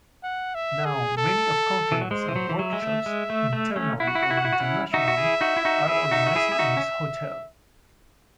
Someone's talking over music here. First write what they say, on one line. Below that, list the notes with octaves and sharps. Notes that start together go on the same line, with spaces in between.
Now many of conferences and workshops, internally or internationally, are organized in this hotel.
F#5
E5
G#4
A4
E3
F#3
G#3 C5
E3
F#3
E3
F#3 E5
G#3
A3
G#3
A3
A3
A3 C#4
E4 F#5
F#4
E4
F#4
E4
F#4
E4
F#4
C#4 E4
D#4 F#4 E5
F#4
E4 G#4
D#4 F#4
E4
D#4 F#4
E4 G#4
D#4 F#4
F#4
E4 G#4
G#4
D#4 F#4
C#4